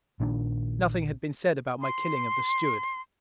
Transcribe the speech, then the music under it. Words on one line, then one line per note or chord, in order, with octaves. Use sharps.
Nothing had been said about my killing of the steward.
A#1 A#2 D#3 D4
C6